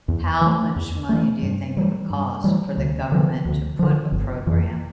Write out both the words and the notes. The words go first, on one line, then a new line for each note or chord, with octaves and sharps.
How much money do you think it would cost for the government to put a program
E2
E3
A3
E2
E3 A3
G2
E3 G3
G2
E3 G3
D2
D3 F3
D2
D3 F3
G1
F2 E3